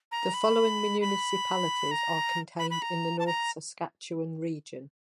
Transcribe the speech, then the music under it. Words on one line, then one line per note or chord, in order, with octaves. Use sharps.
The following municipalities are contained in the North Saskatchewan Region.
A#5
B5
B5
A#5
B5
B5
A#5
A5
A#5